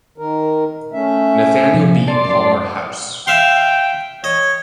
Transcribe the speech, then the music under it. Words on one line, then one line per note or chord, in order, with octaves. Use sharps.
Nathaniel B. Palmer House.
D#3 A#4
A3 C#4 E5
C3 F3
F#2 D5 A5 C6
E5 F5 G5 C6
C#5 D#5